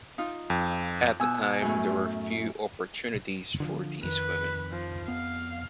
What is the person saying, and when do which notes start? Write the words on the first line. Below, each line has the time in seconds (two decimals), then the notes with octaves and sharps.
At the time there were few opportunities for these women.
0.18 D#4 F4
0.50 F2
1.20 B2 G#5 E6
1.62 F#2 A2
3.60 D3 D#3 F3
4.04 F2 D#3 B4
4.72 F3
5.08 F2 B3 F5